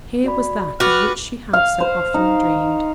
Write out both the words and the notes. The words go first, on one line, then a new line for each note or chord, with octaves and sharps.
Here was that of which she had so often dreamed.
F#4 D5 B5
F#4 B4 G5 D6 F6 A6
F5
C5
D#4